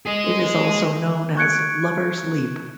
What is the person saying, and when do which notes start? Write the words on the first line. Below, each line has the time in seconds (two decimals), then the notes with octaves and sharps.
It is also known as "Lover's Leap".
0.06 G#4 D#5
1.37 C#6 F#6 G#6 C#7 D7